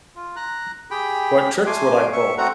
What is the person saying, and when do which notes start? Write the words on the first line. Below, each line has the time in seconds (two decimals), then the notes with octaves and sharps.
What tricks would I pull?
0.16 F4
0.36 A#5 F#6
0.91 G4 G#4 G5 B5
1.66 A3 G#5 C6 D6
2.12 E5 C#6
2.38 A3 C4 F#4 A4 F#5 A#5